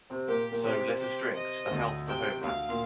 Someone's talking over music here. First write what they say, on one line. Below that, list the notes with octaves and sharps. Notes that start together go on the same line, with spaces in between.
So, let us drink to the health of the homeland.
C3 C4
A#2 A#3 G4
A#2 A#3
C3 C4 G4
G4
D#5
D2 D3
C3 G5
D2 D3 F5
A#2